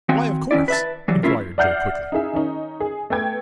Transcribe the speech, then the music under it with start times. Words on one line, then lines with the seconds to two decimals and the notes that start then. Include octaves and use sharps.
"Why 'of course'?" inquired Joe quickly.
0.09 D#3 C4 F#4 F5 G5 G#5
0.51 D#3 C#4 E4 D5
0.68 B4 E5 A5
1.08 E3 F#3 G3
1.23 A3 C#4 E4 F4 A#4
1.58 D5 E5 F#5 F6 G6 C7
2.12 D#4 E4 G#4 E5
2.33 D#3 C#4 D#4
2.80 G#4
3.10 A3 B3 G5 G#6